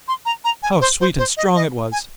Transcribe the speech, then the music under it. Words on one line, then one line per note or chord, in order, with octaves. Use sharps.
How sweet and strong it was!
C6
A#5
A#5
G#5
C5
C5
C5
D#5
D#5
G#5